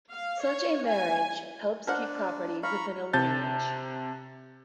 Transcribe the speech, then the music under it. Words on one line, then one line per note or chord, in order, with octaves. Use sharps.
Such a marriage helps keep property within a lineage.
F5
C#5
G#5
D4 A#4 C5 F#5
F5 A#5 B5 C#6
C3 A5 G6 A6